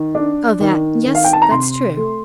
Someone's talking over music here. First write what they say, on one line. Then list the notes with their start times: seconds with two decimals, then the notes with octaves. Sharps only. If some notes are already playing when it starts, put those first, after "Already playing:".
"Oh, that,--yes, that's true."
Already playing: D#3
0.15 D4
0.61 D#3
1.05 D#3
1.15 F5
1.24 G5
1.33 A5
1.42 A#5
1.51 C3 C6
1.97 A3